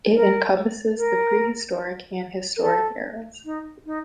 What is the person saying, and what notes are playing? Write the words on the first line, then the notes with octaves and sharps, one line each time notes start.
It encompasses the pre-historic and historic eras.
A#4
A#4
A#4
A4
D#4
D#4